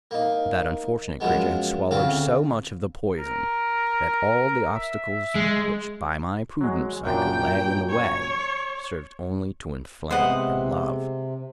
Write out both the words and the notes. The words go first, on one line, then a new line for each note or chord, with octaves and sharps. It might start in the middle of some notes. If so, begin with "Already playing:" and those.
But that unfortunate creature had swallowed so much of the poison, that all the obstacles which by my prudence I could lay in the way served only to inflame her love.
A#3 D#4
F#2 F3 G#3 B3
D2 C#3 C4 F4 F5
A#4
E5
G#3
F#3 G#3
F#2 A#2 D4 G5
C#5
C3 G#3 B3 C5 D#5 F#5